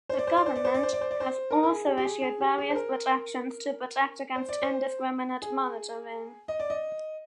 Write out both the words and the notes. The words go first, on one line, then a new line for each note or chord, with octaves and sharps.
The government has also issued various protections to protect against indiscriminate monitoring.
C5
D5
C5
D5
C5
D5
C5
D5
C5
D5
C5
D5
C5
A#4
A#4
G#4
G4
G4
G#4
G#4
G4
G#4
C5
A#4
C5
D5
C5
G#4
D#5
D5
D#5